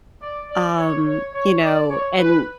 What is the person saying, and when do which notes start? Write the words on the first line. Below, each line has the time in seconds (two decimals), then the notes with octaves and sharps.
Um, you know, and,
0.20 D5
0.48 D5
0.77 C#5
1.05 C#5
1.33 C#5
1.61 D5
1.89 C#5
2.17 B4